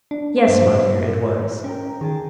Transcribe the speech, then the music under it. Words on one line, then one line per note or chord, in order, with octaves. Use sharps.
'Yes, my dear, it was.'
D4
C5
G2
C#4 A#4 G5
D#3 G#4 G5 A5